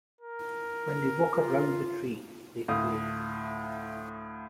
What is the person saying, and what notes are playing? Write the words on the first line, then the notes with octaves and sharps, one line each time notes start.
When they walk around the tree, they pray.
A#4
F4
D2 A2 F5 D#6